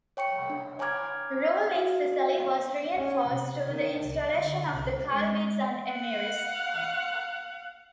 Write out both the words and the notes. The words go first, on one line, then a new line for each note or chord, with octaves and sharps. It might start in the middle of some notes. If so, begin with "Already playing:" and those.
Rule in Sicily was reinforced through the installation of the Kalbids as Emirs.
C#5 G5 C#6 C#7
D4
C#5 G#5 A#5 D6 F6 G#6
F#4 F5
C#4
C3
D#3
C2
D3
C2
G#3
F5 F#5